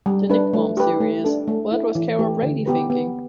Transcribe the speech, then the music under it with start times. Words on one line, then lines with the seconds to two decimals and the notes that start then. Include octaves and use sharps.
The NickMom series What Was Carol Brady Thinking?
0.06 G3
0.30 D4 B4
0.53 A3
0.77 G4 B4
1.00 A3
1.24 D4 A4
1.48 A3
1.72 E4 A4
1.95 E3
2.19 A3 G4 B4
2.43 D3
2.66 B3 G4 B4
2.90 B3